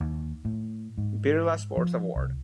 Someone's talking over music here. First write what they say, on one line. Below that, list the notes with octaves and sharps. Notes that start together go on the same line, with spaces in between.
Birla sports award.
D#2
A2
G#2
F3
C2